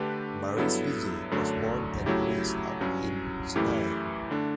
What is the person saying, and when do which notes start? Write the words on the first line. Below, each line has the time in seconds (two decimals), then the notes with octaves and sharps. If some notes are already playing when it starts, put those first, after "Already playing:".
Maris Vijay was born and raised up in Chennai.
Already playing: D3 A3 D4 G4 B4
0.57 G2 F#3 B3 E4 A4
1.31 F#2 D3 F#3 A3 D4
2.06 C#3 F#3 A3 E4 G4
2.81 G2 F#3 C#4
3.56 F#2 E3 A3 E4 G4
4.31 D3 A3 D4